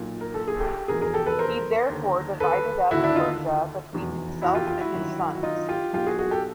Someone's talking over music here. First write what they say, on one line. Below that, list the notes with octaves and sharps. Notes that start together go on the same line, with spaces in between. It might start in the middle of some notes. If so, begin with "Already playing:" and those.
He therefore divided up Persia between himself and his sons.
Already playing: B1 A#2
A#4
A4
G#4
G4 A4
F1 E2 B2 G#4 A#4
G#4 A#4
G4 A4
A4 B4
A#4 C5
D#2 D3
A4 B4
D#2 D3 E4 F#4
D4 E4
D#4 F4
F1 E2 B2
E4 F#4
F4 G4
F4 G4
E4 F#4
G1 F#2 D#3
F#4
D#4 F4
F4 G4
B1 B2 F4 G4
F#4 G#4
F#4 G#4
G4 A4